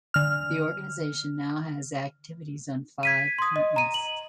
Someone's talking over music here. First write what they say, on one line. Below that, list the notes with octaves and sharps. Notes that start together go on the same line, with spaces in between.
The organization now has activities on five continents.
D3 F6
G#6 B6 D#7
C6 D#6
D#5
A#5 D#7
F#7